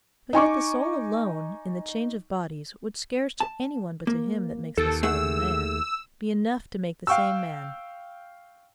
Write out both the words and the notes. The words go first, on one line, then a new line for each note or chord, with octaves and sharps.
But yet the soul alone, in the change of bodies, would scarce to any one but to him that makes the soul the man, be enough to make the same man.
D#4 G#5 C#6 D6
A5
A#3
D#2 A4
A3 G#4 F#5 E6
F5 G5 C#6 E6